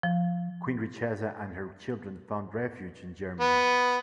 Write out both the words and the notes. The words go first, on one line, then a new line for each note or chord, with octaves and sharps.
Queen Richeza and her children found refuge in Germany.
F3
B3